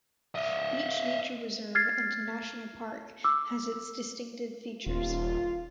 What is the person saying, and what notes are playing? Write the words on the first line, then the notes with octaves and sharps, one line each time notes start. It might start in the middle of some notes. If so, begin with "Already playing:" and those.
Each nature reserve and national park has its distinctive features.
D#5 E5
F6 G#6 A6 C7
D6 E6
D#1 F4